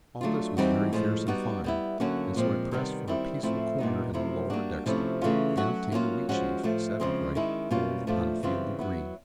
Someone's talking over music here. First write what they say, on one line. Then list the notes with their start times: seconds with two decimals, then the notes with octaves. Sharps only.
All this was very fierce and fine; and so I pressed for a peaceful corner in the lower dexter, and obtained a wheat-sheaf set upright, gold upon a field of green.
0.21 F#3 A3 D4 F4
0.57 E3 G3 C4 D#4 F#4
0.93 A2 F3 G#3
1.28 G3 B3 D#4 F#4
1.64 G3 B3 E4
2.00 D3 F#3 A#3 C#4 F#4
2.36 A#2 F3 G#3 C4
2.71 C3 D#3 G3 B3
3.07 D#3 G3 C4 E4
3.43 A2 F3 A3 C4 E4
3.78 A#2 G3 B3 D#4
4.13 C3 F3 A3 C4 E4
4.50 G3 A#3 D4 F#4
4.86 C3 F3 A3 C#4 E4
5.21 C#3 E3 A3 C#4 F4
5.57 F#3 A3 C#4 F#4
5.92 F#3 A#3 C#4 F4
6.29 F3 G#3 C#4 F#4
6.63 A2 F3 A3
7.00 C#3 F3 G#3 C4
7.35 D#3 G#3 C#4 E4
7.71 B2 G3 A#3 C#4 F4
8.07 A2 F3 A3 D4 F4
8.43 C#3 E3 G3 C4 F4
8.79 F#3 B3 E4